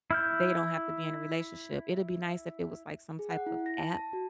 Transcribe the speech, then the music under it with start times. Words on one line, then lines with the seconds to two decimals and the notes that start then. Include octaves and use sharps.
they don't have to be in a relationship, it'd be nice if it was, like, some type of app,
0.11 E4 F6 G6
3.19 G#4
3.31 F#5
3.46 E4
3.66 A#6
3.78 A5
3.94 A5
4.13 F#4